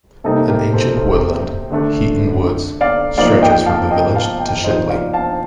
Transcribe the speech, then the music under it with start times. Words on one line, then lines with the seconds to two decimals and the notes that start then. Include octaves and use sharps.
An ancient woodland, Heaton Woods, stretches from the village to Shipley.
0.24 C3 G3 A#3 D#4 A4
0.48 G4 A#4
0.73 A4 C5
0.97 A4 C5
1.71 D3 A3 D4
2.81 D5 F5
3.18 F3 A#3 D#4 D5 F5
3.41 D#5 G5
3.66 F5 A5
3.91 D#5 G5
4.15 F5 A5
4.40 D#5 G5
4.64 F3 C4 D#4 C5 D#5
4.88 D5 F5
5.13 F5 A5